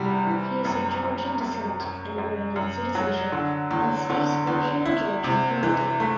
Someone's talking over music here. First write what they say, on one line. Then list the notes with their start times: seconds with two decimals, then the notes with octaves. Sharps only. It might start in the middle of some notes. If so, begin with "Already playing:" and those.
He is of Georgian descent and Iranian citizenship and speaks Persian and Georgian fluently.
Already playing: E2 C3 G3
0.27 E3
0.65 F#2
1.03 F#2
1.41 F#2
1.80 F#2
2.18 F#2
2.56 F#2
2.95 F#3
3.32 D3
3.71 E2
4.10 D3
4.47 E2
4.85 E4
5.24 C3
5.63 E3
6.00 A3